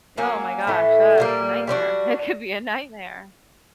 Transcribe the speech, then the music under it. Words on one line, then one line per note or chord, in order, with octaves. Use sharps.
Oh my gosh, ugh, it's a nightmare, it could be a nightmare.
F#3 A#3 C#4
A2 E3 A3
A#2 G3 A#3
G3 B3 D4 F#4